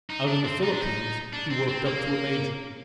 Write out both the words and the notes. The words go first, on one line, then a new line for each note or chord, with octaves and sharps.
Out in the Philippines he worked up to a Major.
D#4
D4
C4
D#4
D4
D#4
D4
C4
C4
A#3